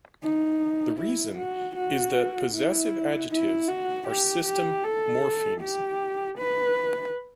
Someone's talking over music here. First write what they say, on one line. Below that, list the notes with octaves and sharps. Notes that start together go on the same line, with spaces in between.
The reason is that possessive adjectives are system morphemes.
D#4
E4
F#4
F#4
E4
E4
F#4
G4
G4
A4
G4
B4